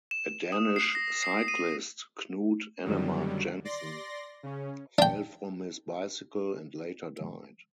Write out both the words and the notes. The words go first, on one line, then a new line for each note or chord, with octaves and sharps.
A Danish cyclist, Knud Enemark Jensen, fell from his bicycle and later died.
E7
D#6
C7
A#6
C7
D#7
F#2 D3 D#3 F#3 G3
D5 C6 A#6
C#3 C#4
D4 G5